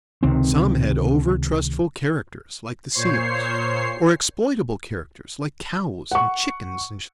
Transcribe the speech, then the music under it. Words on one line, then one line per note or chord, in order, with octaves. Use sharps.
Some had over-trustful characters, like the seals; or exploitable characters, like cows, and chickens, and sheep.
C#2 C3 D#3 C4
A#2 C5 C#5 C7
F#5 C#6